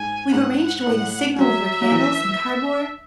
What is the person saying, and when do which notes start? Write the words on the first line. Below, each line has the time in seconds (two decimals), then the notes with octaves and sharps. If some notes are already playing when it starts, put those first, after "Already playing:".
We have arranged a way to signal with our candles and cardboard.
Already playing: G#2 G#5
0.32 G#2 F#5
0.86 A2
1.38 F#3 E5
1.82 F#3
1.91 E3